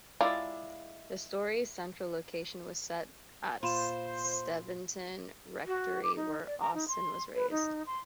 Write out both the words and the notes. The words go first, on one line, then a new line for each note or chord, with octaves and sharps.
The story's central location was set at Steventon rectory where Austen was raised.
G#3 E4 F4 D5 A#5
A#2 F4 C5 B5 C6 E7
F#4
D6
D#4
D5
A#5
D#4
C6
B4
D#4
C6